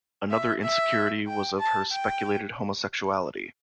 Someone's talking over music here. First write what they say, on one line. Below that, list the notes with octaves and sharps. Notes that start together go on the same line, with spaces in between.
Another insecurity was of her speculated homosexuality.
E5
E5
G5
A5
G5